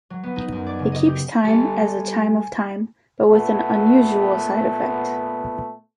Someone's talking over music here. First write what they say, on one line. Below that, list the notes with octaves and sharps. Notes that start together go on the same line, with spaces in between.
It keeps time as a chime of time but with an unusual side effect.
F#3
B3
D#4
F#2
D5
C#3
D#5
G4
G3 A4 G#5
A#2 A3 B3